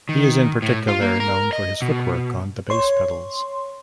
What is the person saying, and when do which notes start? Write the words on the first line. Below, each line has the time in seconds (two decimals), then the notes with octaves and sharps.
He is in particular known for his footwork on the bass pedals.
0.09 D#3
0.62 A2
0.88 F4
1.01 A#3
1.20 A#4
1.53 D#5
1.82 B2
2.70 C#5 C6